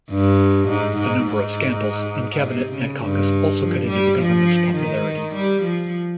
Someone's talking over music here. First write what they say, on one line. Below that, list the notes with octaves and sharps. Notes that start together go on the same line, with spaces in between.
A number of scandals in cabinet and caucus also cut into the government's popularity.
G2
G#2
G#2
G#2
C3
C#3
G2
F3
G3
F3
D#3
G3
F3